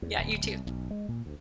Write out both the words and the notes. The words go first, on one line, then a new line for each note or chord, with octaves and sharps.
Yeah, you too.
E2
D1
C2
B1
G#3
A#2
D2